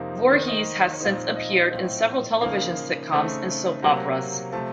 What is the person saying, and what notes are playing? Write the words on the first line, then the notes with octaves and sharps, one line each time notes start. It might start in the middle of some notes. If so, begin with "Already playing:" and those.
Voorhies has since appeared in several television sitcoms and soap operas.
Already playing: F2 C3 F3 A#3 D#4 C5
D#3 A#3 D#4 C5
D#5
C#5
A#2 F3 C4 D#4
D#5
A2 F3 C4
C#3 F3 A#3 D#4 F5
C#3 A3 C4 D#4
C3 F#3 A#3 F#5
C3 F3 A3 A5